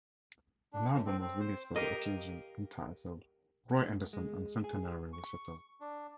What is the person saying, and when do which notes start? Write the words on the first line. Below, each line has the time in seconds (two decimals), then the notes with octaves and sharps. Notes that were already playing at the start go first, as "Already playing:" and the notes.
An album was released for the occasion, entitled "Roy Henderson: A Centenary Recital".
0.73 D4
0.93 F#2
1.06 C4
1.21 C4
1.40 C5
1.75 G4 A#4 D#5 F5
3.79 G#2
4.13 G#3
4.64 G#4
5.13 C#6
5.81 D4